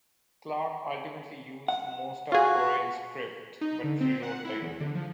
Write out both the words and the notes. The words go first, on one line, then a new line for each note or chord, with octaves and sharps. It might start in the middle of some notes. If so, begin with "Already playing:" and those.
Clark ultimately used most of Korine's script, but rewrote the ending.
F#5
F4 F#4 G#4
D#4
D3
C4
F#5
E4
E2
D3
F3